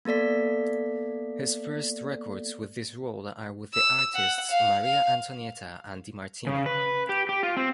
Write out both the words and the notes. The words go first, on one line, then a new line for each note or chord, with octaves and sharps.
His first records with this role are with the artists Maria Antonietta and Dimartino.
A#3 B3 A4 D5 B6
E6
F#5
F5
F5
C#3
B4
G4
G4
F4
C4